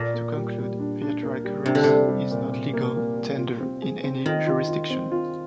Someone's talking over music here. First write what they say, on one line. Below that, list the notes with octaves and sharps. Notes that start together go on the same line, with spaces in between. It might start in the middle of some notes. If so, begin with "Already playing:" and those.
To conclude, virtual currency is not legal tender in any jurisdiction.
Already playing: A#2 A#3
A#3
G3
G3
D4
D4
A#3
G3
C3 D4
D3
C3 G3
G3
A#2
A#2
A#3
A#2
G3
F4
C4
G#4
C4
D#3 F4
F4
F4
C4
F4